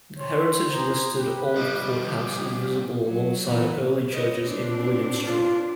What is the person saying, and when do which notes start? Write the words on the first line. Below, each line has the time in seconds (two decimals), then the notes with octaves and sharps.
The Heritage listed Old Courthouse is visible alongside early churches in William Street.
0.19 C5 C#5 G5 C6
0.71 E4 G#4 C5 A#5
1.16 G4 B4
1.56 F3 G3 D#5
2.22 G4 G#4
3.04 F#3
3.48 A#2 E3 B3
4.13 B4 C#5 D#5
4.45 C4 D4
5.27 F4